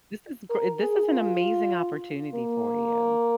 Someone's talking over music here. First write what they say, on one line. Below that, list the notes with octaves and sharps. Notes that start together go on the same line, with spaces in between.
this is gr this is an amazing opportunity for you
A#4
G#4
F4
A#3